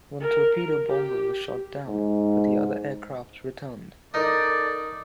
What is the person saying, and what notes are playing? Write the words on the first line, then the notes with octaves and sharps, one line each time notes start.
One torpedo bomber was shot down, but the other aircraft returned.
A#4
G4
G#2
D#4 A4 A#4 D5